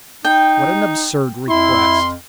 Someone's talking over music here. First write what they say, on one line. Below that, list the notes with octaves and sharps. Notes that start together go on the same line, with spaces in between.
What an absurd request!
D#4 G5
F2 E4 C6